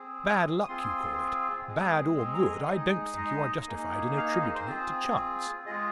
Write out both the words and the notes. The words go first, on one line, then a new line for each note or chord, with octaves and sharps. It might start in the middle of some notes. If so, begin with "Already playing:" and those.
Bad luck, you call it. Bad or good, I don't think you are justified in attributing it to chance.
Already playing: C4 G#4
D#6
C4 F4 G#4 C6
G#3 C4 G#4
C6
A#5
D#5
G#3 D#4 G#4
D#5
A#3 D#4 G#4
F5
D#5
C5
C5
C4 F4 G#4
G#3 F4 G#4 D#5